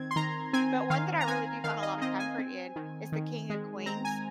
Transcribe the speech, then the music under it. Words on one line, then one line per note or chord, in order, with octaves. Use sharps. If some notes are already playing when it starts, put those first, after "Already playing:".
But one that I really do find a lotta comfort in is the King of Queens.
Already playing: D#3 C4 G#6
C6
D#3 A#5
C4 G#5
D#3 F5
A#5
C4 G#5
D#3 F5
D#5
C4 D#5
G#5
C4
D#3
D#3
G#3
C4 A#5
G#5